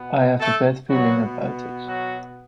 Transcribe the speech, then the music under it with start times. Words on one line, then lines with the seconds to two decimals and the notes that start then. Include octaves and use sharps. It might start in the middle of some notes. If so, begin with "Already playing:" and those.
I have a bad feeling about this!
Already playing: B2 B3
0.40 A3 A4
0.89 B2 F#3 B3 F#4
1.88 F#3 F#4